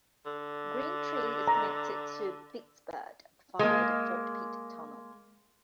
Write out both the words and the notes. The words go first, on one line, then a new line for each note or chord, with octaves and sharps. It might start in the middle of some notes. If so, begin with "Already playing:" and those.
Green Tree is connected to Pittsburgh via the Fort Pitt Tunnel.
D3
A#5
G#3 A#3